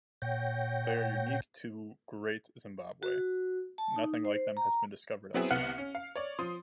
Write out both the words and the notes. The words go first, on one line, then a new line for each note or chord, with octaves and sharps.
They are unique to Great Zimbabwe; nothing like them has been discovered elsewhere.
A#2 C#5 F#5 G5 G6 A#6
F#4
A5
D#4
C5
A#5
F#3 B3 C4 E4 G#4
C2 B3 F5 F#5 F6 C#7
C#4
F5
C#5 D5
F3 C6 D#6